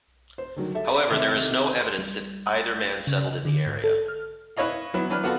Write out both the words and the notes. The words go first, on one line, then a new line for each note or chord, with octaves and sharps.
However, there is no evidence that either man settled in the area.
C5
D3 D#3 F#3
G4 A4 E5
C3 D#3 G4 A4 A#4
C6
G3
A6
G6
C#3
D#5
D3
G#2
A4
F6
E4 B4 C#5 D#5 F5
F#3 B3 E4
E3 F#3 D4 B4 F6
B3 F4 F#4 A4